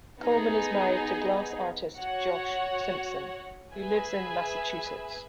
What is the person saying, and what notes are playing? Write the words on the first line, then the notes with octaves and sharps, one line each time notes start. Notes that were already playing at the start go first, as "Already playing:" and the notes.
Coleman is married to glass artist Josh Simpson who lives in Massachusetts.
B3 D#4 G#4
F#4 C#5 F#5
G#4 B4 E5 G#5